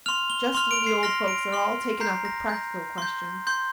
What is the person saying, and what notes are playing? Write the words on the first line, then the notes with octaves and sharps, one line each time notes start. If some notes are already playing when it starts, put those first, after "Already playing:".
Just when the old folks are all taken up with practical questions.
C6 F6 F7
G7
C6 F6 F7
D7
C7
C6 F6 A#6
D7
C6 F6
A#5 G6 C7
A#6
A#5 G6
C6 G6
C6 G6